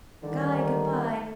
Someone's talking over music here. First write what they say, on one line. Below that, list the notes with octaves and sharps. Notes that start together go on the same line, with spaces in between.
Guy, goodbye.
D3 D#3 G3